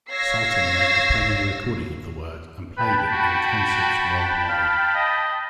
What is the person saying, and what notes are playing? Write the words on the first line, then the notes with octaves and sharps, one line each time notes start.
Sultan made the premiere recording of the work and played it in concerts worldwide.
C#5 F5 E6 G#6 A#6 C7
B4 G5 A5 B5
F#4
F5
D#5